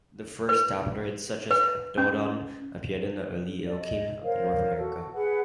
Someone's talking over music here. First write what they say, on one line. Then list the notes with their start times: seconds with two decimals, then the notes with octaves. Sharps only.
The first tapirids, such as "Heptodon", appeared in the early Eocene of North America.
0.49 B4
1.51 B4
1.98 C#4
3.66 A4 D5
3.80 D#5
4.23 A#4 C5 C#5 F5
4.76 F#4 A4
5.13 G#4 B4 F#5